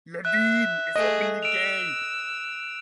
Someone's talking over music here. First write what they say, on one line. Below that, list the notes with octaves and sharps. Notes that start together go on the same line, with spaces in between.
Levine is openly gay.
E5 F#6
A3 G#4 D#5
E6 D7 F7